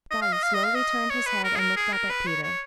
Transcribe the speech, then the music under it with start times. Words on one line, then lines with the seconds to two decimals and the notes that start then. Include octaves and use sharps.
Spotty slowly turned his head and looked up at Peter.
0.11 D#5
0.22 F5
0.33 D#5
0.43 F5
0.54 D#5
0.64 F5
0.75 D#5
1.10 C#5
1.26 B4
1.44 A#4
1.56 G#4
1.60 A#4
1.77 G#4
1.93 A#4
2.10 B4
2.27 C#5
2.43 C#5